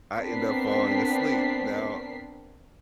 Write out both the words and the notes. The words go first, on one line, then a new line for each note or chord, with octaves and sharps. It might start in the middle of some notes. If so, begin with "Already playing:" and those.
I end up falling asleep. Now,
B3 C4 D4 A#4 B6 C7